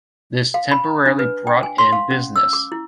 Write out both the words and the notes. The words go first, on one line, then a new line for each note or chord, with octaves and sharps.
This temporarily brought in business.
F5
B5
D4
B4
G5
G#5
C6
F5
C#4
E6
D6
E4